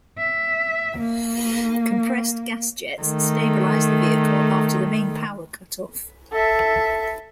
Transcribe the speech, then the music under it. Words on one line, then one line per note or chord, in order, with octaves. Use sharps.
Compressed gas jets stabilized the vehicle after the main power cutoff.
E5
A#3
D#3 A3
A4 E5